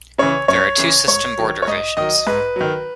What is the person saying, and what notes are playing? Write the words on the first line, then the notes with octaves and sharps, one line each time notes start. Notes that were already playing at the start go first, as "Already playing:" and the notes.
There are two system board revisions.
C#3 E3 C#5
F#2 C#5
C#3 E3
G#2 C#5
D#3 F#3
C#5
G#2 D#5
D#3 F#3 D#5
G#2 B4
D#3 F#3